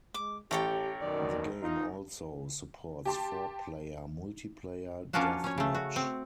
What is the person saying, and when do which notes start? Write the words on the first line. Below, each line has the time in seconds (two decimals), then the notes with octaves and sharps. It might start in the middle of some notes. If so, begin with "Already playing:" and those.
The game also supports four-player multiplayer deathmatch.
0.14 G#3 D6
0.51 A1 G4 A4 C#5 G5
1.02 F#2 B2 D#3 D5
1.62 D#4 F4
3.05 G4 A5 C6
5.13 F3 A#3 C#4 D4 F4 F#4
5.44 C#4 C#5
5.58 C#3 A3
5.75 F#4
5.96 C4